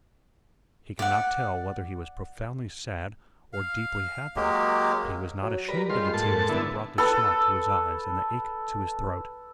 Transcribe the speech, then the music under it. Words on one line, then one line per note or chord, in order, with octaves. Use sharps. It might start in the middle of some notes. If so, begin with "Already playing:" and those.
He could not tell whether he was profoundly sad or deeply happy; but he was not ashamed of the tears that brought the smart to his eyes and the ache to his throat.
D5 F#5
F5
F#3 G#3 A#3 G4
F#3
G3 A#4 B4
G3 G#3 F4 C6
G#2 A#3 A4 A5
D3 B3 E4
A4 B4